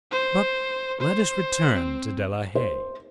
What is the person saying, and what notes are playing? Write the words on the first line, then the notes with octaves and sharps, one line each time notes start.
But let us return to De la Haye.
C5
C5
C4
C5